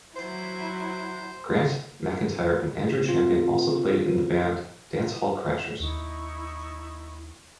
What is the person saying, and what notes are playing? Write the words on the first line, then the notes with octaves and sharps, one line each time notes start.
Grant McIntire and Andrew Champion also played in the band Dance Hall Crashers.
F#3 E4 C5
C4 F4
D#2 D#4 E4 C#6